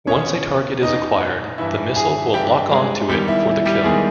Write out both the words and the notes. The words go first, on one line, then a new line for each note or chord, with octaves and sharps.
Once a target is acquired, the missile will lock-on to it for the kill.
E2 B2 C#4 C#5
E2 B2 D#4 D#5
G2 E3 E4 E5
G#4 G#5
G2 E3 G4 G5
G#3 G#4
E2 D#3 G3 G4
E4
E4
G3 G4
E2 D#3 G#3 G#4